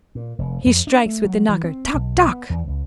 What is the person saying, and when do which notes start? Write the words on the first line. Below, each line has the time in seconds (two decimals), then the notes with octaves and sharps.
He strikes with the knocker: 'Toc! toc!'
0.15 A#2
0.39 F1
0.66 F2
0.87 D4
1.06 A3
1.25 F#3
1.49 E3
1.64 C4
1.94 B1
2.28 B3
2.50 E2
2.68 C#2